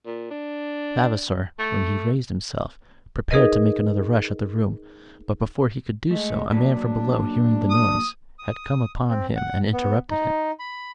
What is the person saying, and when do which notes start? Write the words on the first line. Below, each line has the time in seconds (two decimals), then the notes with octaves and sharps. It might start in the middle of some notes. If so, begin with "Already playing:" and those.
Vavasor, when he raised himself, prepared to make another rush at the room, but before he could do so a man from below, hearing the noise, had come upon him and interrupted him.
0.06 A#2
0.31 D4
1.59 A3
3.31 D#4 G#4 A#4 B4 D#5
6.11 G#3 A3
6.52 F#3 A#3 D4 B4
7.70 D#6
8.39 D#6
9.09 C4
9.36 F#5
9.73 B3
10.10 D#4
10.59 B5